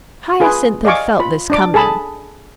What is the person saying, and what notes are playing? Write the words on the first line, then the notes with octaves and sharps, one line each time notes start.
Hyacinth had felt this coming.
F4 G#4 B4
D5 D#5 F5 G#5 C#6 D6
F4 B5
D4 D5 D6
G#4 A4 A5 B5